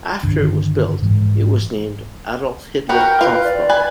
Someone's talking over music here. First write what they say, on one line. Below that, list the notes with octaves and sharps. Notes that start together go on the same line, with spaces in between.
After It was built, it was named "Adolf-Hitler-Kampfbahn".
G2 D3 D#3 D4
G#2 E3 G#3
F#4 A#4 B4 G5
A#4
F4 B4
D5
B4 G#5